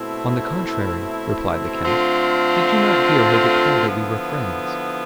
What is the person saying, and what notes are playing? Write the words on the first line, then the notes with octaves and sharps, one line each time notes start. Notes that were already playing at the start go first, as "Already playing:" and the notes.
"On the contrary," replied the count, "did you not hear her declare that we were friends?"
Already playing: B2 A3 C4 E4
D3 A3 C4 F4
D3 F3 B3 E4